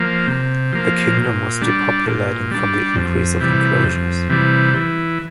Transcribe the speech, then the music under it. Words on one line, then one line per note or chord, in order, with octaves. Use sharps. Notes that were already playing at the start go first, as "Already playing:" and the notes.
The kingdom was depopulating from the increase of enclosures.
Already playing: F3 A#3
C3
F3 A#3
A#2
G3 D4
A#2
G3 D4
F2
C3 E3 G3
F2
C3 E3 G3
E3